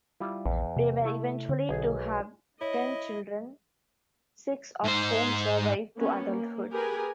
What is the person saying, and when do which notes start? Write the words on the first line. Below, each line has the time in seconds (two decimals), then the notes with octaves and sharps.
They were eventually to have ten children, six of whom survived to adulthood.
0.20 G3 E4 F4
0.46 A#1 E2
0.77 C3
1.05 A3 E4
1.49 D3
1.69 B1 G#4
2.61 E4 C#5 D#5
4.84 G#2 C5
5.96 A#3 B3 C#4
6.25 A#3
6.73 G4 G#4 A#4 B4 G#5